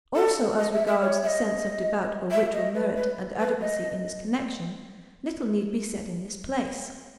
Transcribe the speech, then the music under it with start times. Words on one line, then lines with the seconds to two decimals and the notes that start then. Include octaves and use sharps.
Also as regards the sense of devout or ritual merit and adequacy in this connection, little need be said in this place.
0.16 A4
0.59 D#5
0.73 E5
0.87 E5
1.02 C#5
1.23 E5
1.27 D#5
2.31 E5
2.54 D#5
2.75 B4
2.96 B4
3.39 B4
3.61 D#5